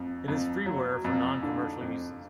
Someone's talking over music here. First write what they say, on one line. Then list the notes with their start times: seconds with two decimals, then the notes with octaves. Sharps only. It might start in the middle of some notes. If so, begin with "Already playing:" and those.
It is freeware for non-commercial uses.
Already playing: F2
0.28 F2
0.66 F#3
1.05 F2
1.43 D3
1.81 F2